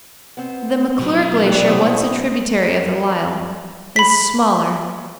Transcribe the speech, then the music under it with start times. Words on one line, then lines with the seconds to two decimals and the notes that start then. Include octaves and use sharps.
The McClure Glacier, once a tributary of the Lyell, is smaller.
0.37 B3 C4
0.99 B2 F#3
1.46 C3 B4 D5 F5
1.67 G3 B3 C4 E4 D#5
3.96 B5 B6